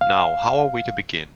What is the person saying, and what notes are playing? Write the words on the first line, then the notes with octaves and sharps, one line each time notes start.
Now, how are we to begin?
F5